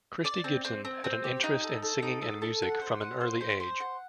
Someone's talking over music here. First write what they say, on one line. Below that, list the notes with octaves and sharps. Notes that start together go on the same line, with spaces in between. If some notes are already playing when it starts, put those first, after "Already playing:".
Christy Gibson had an interest in singing and music from an early age.
D5
C4
C4
C4
C4
G4
D#4
A4
A4
D#4
A4
A4
F#5
C5
F#5
C5
C5
C5
F#5